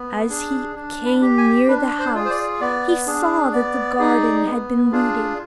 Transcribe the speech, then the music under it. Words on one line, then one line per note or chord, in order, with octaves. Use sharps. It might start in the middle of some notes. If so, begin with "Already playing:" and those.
As he came near the house, he saw that the garden had been weeded.
Already playing: B3
D4 G#4
D4
B5
G4
G#5
D4 B4
C5
F4 G#4
C5
D5
B3 D5
D4 G#4
B3 D5
D#4 G#4
B3
D4 F4 G#4